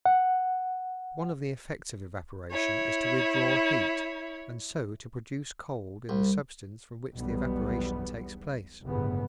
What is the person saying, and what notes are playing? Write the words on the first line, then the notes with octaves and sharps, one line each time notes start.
One of the effects of evaporation is to withdraw heat, and so to produce cold in the substance from which the evaporation takes place.
F#5
E4 C#5
C2
B1 E2 G3 B3
G1 C2 F#2 A2 C#3 B3